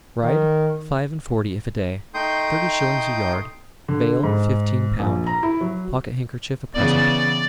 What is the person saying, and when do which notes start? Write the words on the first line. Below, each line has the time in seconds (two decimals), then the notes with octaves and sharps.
'Bride; five-and-forty if a day, thirty shillings a yard, veil fifteen pound, pocket-handkerchief a present.
0.23 D#3
2.14 A3 D#4 G5 C6 D#6 G6
3.88 D3
4.23 G#2
4.99 A#1
5.26 A#5
5.43 E4
5.61 F#3
6.74 C#3 E3 B3 D5